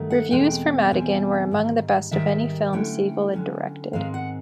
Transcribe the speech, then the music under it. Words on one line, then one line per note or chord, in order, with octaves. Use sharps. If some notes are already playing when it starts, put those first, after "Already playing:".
Reviews for "Madigan" were among the best of any film Siegel had directed.
Already playing: G2 D#3 F#3 A3
F#5
E2 B2 G#3 C4 G5
E2 B2 G#3 C4 G#5
G#2 D#3 G3
G#2 D#3 G3 E5
D3 F#3 A3 C#4 E4 G5
D3 F#3 A3 C#4 E4
G#2 D#3 G#3 C4 F5
F#5